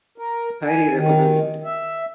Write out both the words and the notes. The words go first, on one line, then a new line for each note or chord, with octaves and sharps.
Highly recommended.
A#4
G#5
D#3
E5